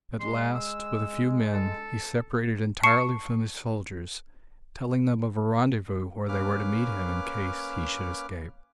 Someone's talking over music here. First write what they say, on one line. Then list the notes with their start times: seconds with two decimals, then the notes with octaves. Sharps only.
At last, with a few men, he separated entirely from his soldiers, telling them of a rendezvous where they were to meet him in case he should escape.
0.20 G#3 C6
0.55 E6
1.54 A4
2.83 A5 C#6 C7 C#7
6.28 A#3 C#4 B4 D6 F6